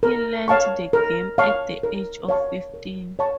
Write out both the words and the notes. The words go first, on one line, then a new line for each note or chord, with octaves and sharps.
He learnt the game at the age of fifteen.
A#4
C#5 F5 A5 C#6
A#4
C#5 F5 A5 C#6
A#4
C#5 F5 A5 C#6
A#4
C#5 F5 A5 C#6